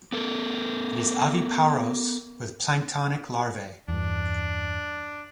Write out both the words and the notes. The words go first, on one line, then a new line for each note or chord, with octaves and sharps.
It is oviparous with planktonic larvae.
B3 A4 A#4
E2 G2 D4